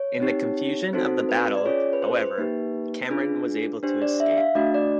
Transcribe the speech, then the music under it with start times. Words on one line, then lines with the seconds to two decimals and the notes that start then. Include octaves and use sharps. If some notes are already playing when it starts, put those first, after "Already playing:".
In the confusion of the battle, however, Cameron was able to escape.
Already playing: C#5
0.20 C4 D#4 G4
0.93 C4 D#4 F#4 A4 C5
1.29 B4
1.55 D5
1.65 C#4 F4 G#4 C#5
1.93 B4
2.02 C5
2.21 B4
2.38 A#3 D#4 G4
3.10 D4 F4 G#4
3.83 D4 G4 C5
4.02 D5
4.20 E5
4.32 E5
4.37 F5
4.55 A3 D4 F#4 D#5
4.74 D5